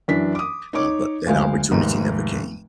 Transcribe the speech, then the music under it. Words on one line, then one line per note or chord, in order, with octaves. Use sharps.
uh, but that opportunity never came.
F#2 E3 D4 B6
D6 D#6
D#4 C#5 D6
F#1 D2 G#3 F5
F1 D#2 G#2 D#4